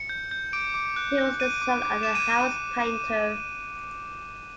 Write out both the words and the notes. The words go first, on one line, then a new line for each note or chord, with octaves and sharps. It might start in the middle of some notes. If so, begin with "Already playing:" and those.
He was the son of a house painter.
Already playing: C#7
G6
G6
D6 D7
D6
F#6
F#6
F#6 D#7
D6
D6
D6 E7
D#7